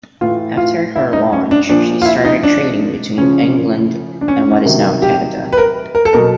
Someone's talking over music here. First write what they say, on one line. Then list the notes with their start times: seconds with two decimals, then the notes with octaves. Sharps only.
After her launch she started trading between England and what is now Canada.
0.21 A2 E3 F4
0.57 F4
0.96 E4
1.13 D#4
1.33 C#4
1.51 D4
1.69 A#2 F3 D4
2.02 F4
2.06 E4
2.25 D#4
2.43 D4
3.17 C#3 F3 C#4
4.21 D4
4.28 C#4
4.65 C3 D#3 F#3
5.02 G4
5.53 B4
5.58 A#4
5.95 A#4
6.05 A4
6.13 B2 F#3 A#4